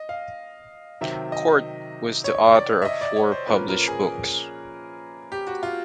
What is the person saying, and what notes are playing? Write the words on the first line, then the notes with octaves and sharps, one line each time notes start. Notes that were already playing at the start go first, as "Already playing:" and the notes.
Kort was the author of four published books.
Already playing: D#5
F5
C3 D#3 F#3 E5
D#5
C#5
D5
E5
D#5
D5
C#5
C5
A#2 F3 A#3 C#4 B4
A#4
G#4
G4
F#4
F4